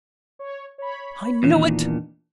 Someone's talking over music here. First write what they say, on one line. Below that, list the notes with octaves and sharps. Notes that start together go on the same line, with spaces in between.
I knew it.
C#5
C#5 B5
E2 A#2 D#3 E3 D4